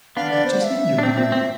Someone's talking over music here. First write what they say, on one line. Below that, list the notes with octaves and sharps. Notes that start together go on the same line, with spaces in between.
"What is hindering you?"
B3 D4 F5
D5
C5
F5
E5
D4
C4 E5
C4
C4